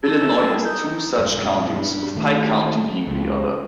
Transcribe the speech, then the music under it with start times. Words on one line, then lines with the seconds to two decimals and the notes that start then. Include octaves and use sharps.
Illinois has two such counties, with Pike County being the other.
0.03 A4 A5
0.21 C#4 D#4 E5
0.42 G3 G#4
0.65 D#4 G6
1.18 E1 G2
1.73 G2
2.15 A1 D#3 A3
3.07 C#2